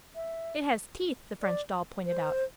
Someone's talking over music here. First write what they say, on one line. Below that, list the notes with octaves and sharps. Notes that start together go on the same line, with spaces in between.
"It has teeth!" the French doll pointed out.
E5
D5
C5